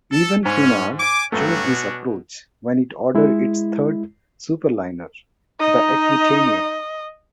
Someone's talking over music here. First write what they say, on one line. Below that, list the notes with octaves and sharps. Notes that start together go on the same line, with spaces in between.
Even Cunard chose this approach when it ordered its third superliner, the "Aquitania".
A4
G#2 C#4
G#5 D6
G2 F#3 A3 C#4 D4 F#4
B2
G#3 E4
D#4 D#5